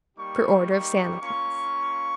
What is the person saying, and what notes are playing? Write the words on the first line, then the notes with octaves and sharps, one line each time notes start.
Per order of Santa Claus.
G3 A#3 D#4 G4 C#6
C#6
A#3 C#4 F4 C#6